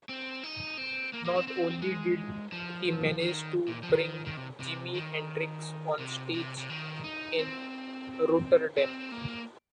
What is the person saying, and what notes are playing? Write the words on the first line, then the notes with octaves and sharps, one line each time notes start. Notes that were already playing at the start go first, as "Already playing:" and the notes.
Not only did he manage to bring Jimi Hendrix on stage in Rotterdam.
C4
D#4
C4
A#3
A#3
C4
C4
G#3
F3
D#3
A#2
F3
D#3
D#3
C3
C3
D#3
C3
C3
C3
D#3
D#4
C4
C4
A#3